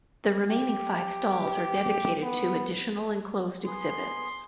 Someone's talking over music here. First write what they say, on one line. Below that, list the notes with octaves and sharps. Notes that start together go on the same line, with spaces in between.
The remaining five stalls are dedicated to additional enclosed exhibits.
G4
B3
B3 G#4 C6